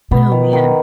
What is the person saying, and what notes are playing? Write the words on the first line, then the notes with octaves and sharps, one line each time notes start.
Oh, man.
B2 B3
D#3
D#3